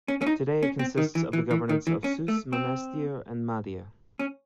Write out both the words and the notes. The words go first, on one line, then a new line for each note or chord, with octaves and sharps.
Today it consists of the governorates of Sousse, Monastir and Mahdia.
C#4
C#4
D#4
C#4
C4
D#3
E3
E3
E3
D#3
E3
C#4
A3
C4
C#4